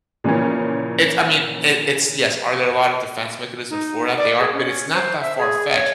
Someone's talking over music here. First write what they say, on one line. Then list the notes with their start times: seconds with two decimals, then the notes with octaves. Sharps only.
it's I mean, it it's yes, are there a lot of defense mechanism for that? They are, but it's not that far-fetched,
0.24 A#2 C#3 E3 F3 A#3 C#4
3.70 D#4
4.17 D5
4.39 G#4
4.54 C#4
4.93 C5
5.21 E5
5.38 G#4
5.74 C#5